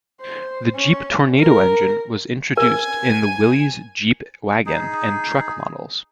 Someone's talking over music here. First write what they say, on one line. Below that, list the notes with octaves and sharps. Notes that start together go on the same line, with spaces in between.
The Jeep Tornado engine was introduced in the Willys Jeep Wagon and truck models.
C5
C#4
A#4
A#4 G#5
D#4 G#4